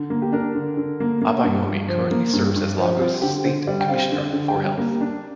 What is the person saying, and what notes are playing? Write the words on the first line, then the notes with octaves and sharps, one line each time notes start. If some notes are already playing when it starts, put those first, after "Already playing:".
Abayomi currently serves as Lagos State commissioner for health.
Already playing: D3
A#3
G4
D4 A#4
D3
D3
A#3
A#3
G2
G2
F3
A#3
G2
G2
F3
C4 F4
D3 G4
D3 C5
G3 D5
G5
C4 F5
D3
D5
D3
G5
G3
A#3
D4